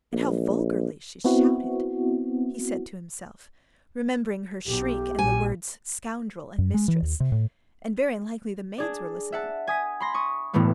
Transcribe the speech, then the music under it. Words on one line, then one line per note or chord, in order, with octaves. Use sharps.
And how vulgarly she shouted," he said to himself, remembering her shriek and the words--"scoundrel" and "mistress." "And very likely the maids were listening!
A#1
B3 C4 E4 F#4
B1 G4
A#1 G#5
F#2
G#3
E3
D#2
C3
A2
D4 G#4 D5
E5 F#5 A5
G#5 D#6 B6
B5 C6 A#6
C#6 D#6
E1 A2 E3 A3 B3